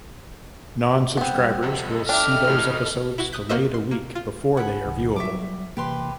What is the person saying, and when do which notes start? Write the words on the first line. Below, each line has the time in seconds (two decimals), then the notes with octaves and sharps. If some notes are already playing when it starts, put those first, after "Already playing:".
Non-subscribers will see those episodes delayed a week before they are viewable.
1.17 G3 B3 C4
1.63 F2 C3 A4 D#5 B5
2.09 D4 E5 G5 F6
2.47 A1 A2
3.18 E4 F#4
3.32 D#6 F#6 G6 B6
3.49 A#3 F4 F#4 C5 D#5 E5
3.74 C6
3.91 A#3
4.15 F4
4.57 F#5 G#5 B5
4.85 C2 D#3
5.16 F#3 G3 E5 C#6 D6
5.77 C3 E3 A#3 G4 B4 C6